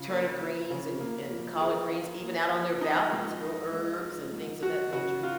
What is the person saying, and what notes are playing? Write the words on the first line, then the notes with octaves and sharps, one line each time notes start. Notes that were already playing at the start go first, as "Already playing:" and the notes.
turnip greens and and collard greens even out on their balconies, grow herbs and things of that nature.
Already playing: C#3 F4
A#3
F3
C#3
A#3
F3
G#4
F4
A#3
F3
F3 D#4
G#2
D#4
G#3
F3
G#2
F#3 F#4
C#3 F#4
F4 F#4